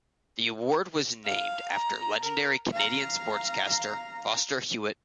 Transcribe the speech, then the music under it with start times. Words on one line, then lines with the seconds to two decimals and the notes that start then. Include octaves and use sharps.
The award was named after legendary Canadian sportscaster Foster Hewitt.
1.25 F5
1.71 A#5
2.23 A#4
2.72 F5 A#5